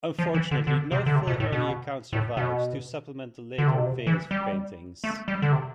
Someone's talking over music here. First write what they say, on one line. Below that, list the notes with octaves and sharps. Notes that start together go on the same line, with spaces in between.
Unfortunately no full early account survives, to supplement the later vase-paintings.
F3
E3
D3
D3
C3
D3
C3
B2
A2
B2
A2
B2
D3
C3
B2
C3
E3
G3
A3
G3
D3
C3